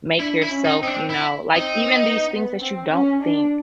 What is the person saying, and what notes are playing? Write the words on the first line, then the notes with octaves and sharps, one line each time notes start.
make yourself, you know like, even these things that you don't think
D4 E4
E4
C#4
D#4
C4 D#4
D4
E4
C4 D#4
B3
B3
C4
C#4
D4